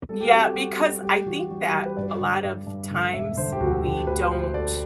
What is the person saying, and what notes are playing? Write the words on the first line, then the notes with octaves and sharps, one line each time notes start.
Yeah, because I think that a lot of times we don't
G3 A4
G4
C4 F#4
G4
G3 F#4
G3 F#4
G3 G4
E3 F#4
G3 F#4
G4
G3 G4
B4
G2 D5
D3
G2
G2
D3
E1 E5
D3 C5
G4
D2 F#4
D3 G4
D2 B4
D2 C5
A3 D5